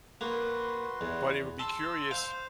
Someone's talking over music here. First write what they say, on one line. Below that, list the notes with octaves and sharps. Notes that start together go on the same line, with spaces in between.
but it would be curious
A#3 F#4 B4 C6
E2
A5 C6 E6
C5 F5